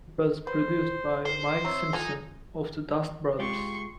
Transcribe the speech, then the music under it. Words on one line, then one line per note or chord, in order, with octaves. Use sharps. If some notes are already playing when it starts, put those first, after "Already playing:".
It was produced by Mike Simpson of the Dust Brothers.
B4 C5
D#3 C5
C4 C#5 E5 A#5
D#4 F4 A4 G#5 A5
G#3 F4 G4 C6 C#6